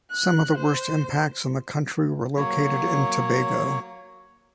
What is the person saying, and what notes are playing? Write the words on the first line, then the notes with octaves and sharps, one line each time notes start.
Some of the worst impacts in the country were located in Tobago.
F#6
C5
F#3 A#3 C#5